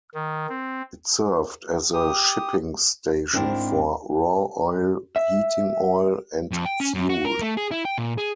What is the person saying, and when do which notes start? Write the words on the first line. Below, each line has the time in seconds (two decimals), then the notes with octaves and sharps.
It served as a shipping station for raw oil, heating oil, and fuel.
0.14 D#3
0.49 C4
1.94 G4 D#6
3.33 G#2 A#3 C4 D4 E4 A#4
5.16 E5
6.51 F2
6.66 G5
6.80 C#4
6.94 F#2
7.09 F#4
7.25 A#4
7.41 A3
7.57 G#4
7.71 E4
7.85 G5
7.98 A#2
8.18 G#4